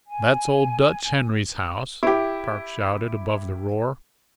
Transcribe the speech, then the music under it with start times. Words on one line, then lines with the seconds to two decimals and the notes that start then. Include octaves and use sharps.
"That's old Dutch Henry's house," Park shouted above the roar.
0.07 G#5
2.03 E4 G4